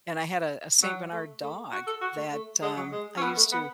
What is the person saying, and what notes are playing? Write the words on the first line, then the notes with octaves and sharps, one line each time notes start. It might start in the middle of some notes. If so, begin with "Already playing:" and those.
and I had a a Saint Bernard dog that, um, I used to
F#3
A3
A3
F#4
A4
F#4
A3
A3
G#3
F#3
G#3
C#4
B3
A3
B3